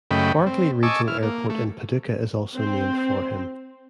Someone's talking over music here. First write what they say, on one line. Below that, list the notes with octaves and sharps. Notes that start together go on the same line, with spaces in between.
Barkley Regional Airport in Paducah is also named for him.
F#2 C#3 A3 D#5 G5 B5
C4
D#5 G#5 A5 C#6 D6 E6
E4 F6
A#3
A3
C4